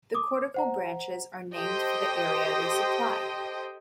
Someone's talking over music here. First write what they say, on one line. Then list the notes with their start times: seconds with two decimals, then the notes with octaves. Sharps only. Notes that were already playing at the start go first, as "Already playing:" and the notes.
The cortical branches are named for the area they supply.
0.15 D6 D#6
0.54 C5 F#5 A#5
1.54 G4 A4 C5 D#5 G5 D#6